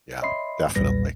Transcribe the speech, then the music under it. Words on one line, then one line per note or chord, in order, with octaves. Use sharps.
Yeah, definitely.
C#5 D#5 E5 B5 C6 C7
B1 E2 A#2 G3 B4 A#6